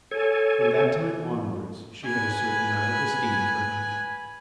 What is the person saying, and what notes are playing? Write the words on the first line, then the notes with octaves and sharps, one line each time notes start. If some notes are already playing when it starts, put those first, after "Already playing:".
From that time onwards she had a certain amount of esteem for him.
A4 C#5 G#5
B4 G#5